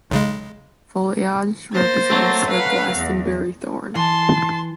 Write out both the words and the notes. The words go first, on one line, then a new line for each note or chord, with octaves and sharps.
Foliage represents the Glastonbury Thorn.
B1 C#3 G#3
A#3 C5 A6
F#3 A3 C4
B4 F5 F#5
E2
E3 A5 C6